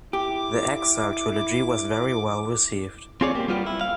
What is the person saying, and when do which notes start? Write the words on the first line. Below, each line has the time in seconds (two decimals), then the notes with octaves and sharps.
The "Exile" trilogy was very well received.
0.13 E4 G4 D6
3.21 C4 F4 G#4 C#5 D5
3.35 A#3 G4
3.48 G3 B3 F4 G4
3.66 E4
3.81 F5